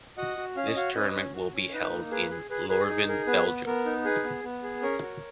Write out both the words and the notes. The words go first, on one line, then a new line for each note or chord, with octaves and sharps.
This tournament will be held in Leuven, Belgium.
F#4 D#5 F#5
F#4
C#4 F5
D#5
F#4 C#5 F5
C#4 B4 D#5
C#4
F#4
C#4
D#4 B4
A#3
G#4 B4
G#4
G#4 B4
G#4 B4
D#4
G#4 A#4
B3 B4
B3
B3 A#4
D#4
G#4 B4
B3
B3
G#4
C#4 A#4 C#5
F#4